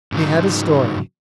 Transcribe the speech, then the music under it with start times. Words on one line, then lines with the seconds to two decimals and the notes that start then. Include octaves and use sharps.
He had his story.
0.12 G#2 C#3 F#3 D#4